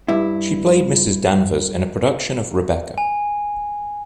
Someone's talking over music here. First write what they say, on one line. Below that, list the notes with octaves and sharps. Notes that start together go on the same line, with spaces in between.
She played Mrs Danvers in a production of "Rebecca".
G2 E4
G#5